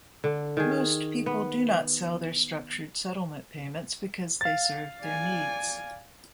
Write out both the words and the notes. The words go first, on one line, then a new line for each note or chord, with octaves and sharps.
Most people do not sell their structured settlement payments because they serve their needs.
D3
D#3 G#4
B3
F5 A6
D5 G#5